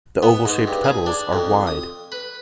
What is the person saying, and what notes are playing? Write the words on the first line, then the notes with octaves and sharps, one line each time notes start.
The oval-shaped petals are wide.
B3
G#2
G2
G#4
D4
F2
D#6
B4